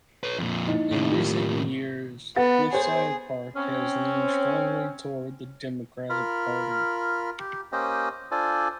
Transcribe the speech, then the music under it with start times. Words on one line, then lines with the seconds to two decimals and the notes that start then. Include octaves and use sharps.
In recent years, Cliffside Park has leaned strongly toward the Democratic Party.
0.24 B4 C#5
0.39 F2 A#2
0.67 D#4 E4 D#5
0.91 D#2 A2
1.10 F4 G4 A#4
2.36 B3 B4 F#5 A6
2.73 G#4 C5 C#5
3.55 C4 C#4
6.10 F4 A#4 B5 F6
7.40 G4
7.72 A#3 C#4 G4 C5 D#5 G5
8.31 D4 F4 A4 C5 D5 G#5